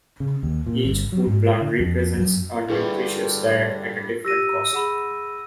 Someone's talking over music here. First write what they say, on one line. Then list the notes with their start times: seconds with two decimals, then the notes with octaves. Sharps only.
Each food plan represents a nutritious diet at a different cost.
0.20 C#3
0.43 D#2
0.67 A#2
0.85 G1
1.12 F#3
1.27 G#2
1.61 D3
1.80 F2
2.18 F#2
2.70 G2 D3 E4 G#4 B4
4.25 G4 E6 A#6 D#7
4.73 G#4 F#5 B5